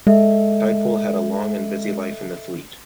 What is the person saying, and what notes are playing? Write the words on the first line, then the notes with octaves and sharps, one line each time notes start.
"Tidepool" had a long and busy life in the fleet.
G#3 A4 D#5 E5